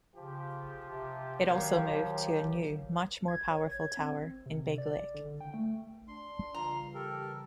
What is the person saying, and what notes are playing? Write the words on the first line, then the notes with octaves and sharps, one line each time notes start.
It also moved to a new, much more powerful tower in Big Lake.
C#3 F3 G4
C3
D#3 F#3 C#5 F5
G#6
C#5
G#6
C4
C3
D5
D3
G5
A3
D4 C6
C#3 E3 G3 F4 A#5
G4 A4 A#4